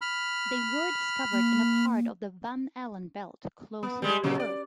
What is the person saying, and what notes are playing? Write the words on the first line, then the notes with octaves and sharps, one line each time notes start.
They were discovered in a part of the Van Allen belt closest to Earth.
B5 F6
A#3
B3
G3 G#3
A#2 C#3 F#3
D5